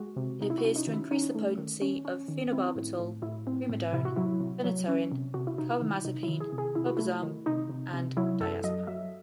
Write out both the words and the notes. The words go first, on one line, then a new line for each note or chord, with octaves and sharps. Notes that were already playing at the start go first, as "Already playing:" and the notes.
It appears to increase the potency of phenobarbital, primidone, phenytoin, carbamazepine, clobazam and diazepam.
Already playing: G#3 F#4
C3
C3 D#4
E4
F#4
C#4
D#4
D#3
E4
C#4 D#4
A3
D#3
C#4
C#4
D#3
C4 E4
A2
A2
A2 E4
C4
A2
C3 E4
F#4
F#3 E4
C3
F#3
C#4
C3
C3 F#4
E4
C3 D#4
E4
D#3
C3 D#4
E4
D#3
G#4
C3
G#4
C3 E4
F#4
A3 E4
D#3
C3 D#4
C3
C3
F#3 E4
F#2 A4
F#3 D#5
F#3 E5